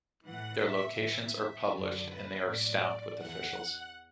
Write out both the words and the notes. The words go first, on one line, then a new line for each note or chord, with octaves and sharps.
Their locations are published and they are staffed with officials.
A2 E3 F#5
E5
A2 E3 E5
F#2 D3 F#3 D5
B4
A2 F#3 D5
E2 E3 F#5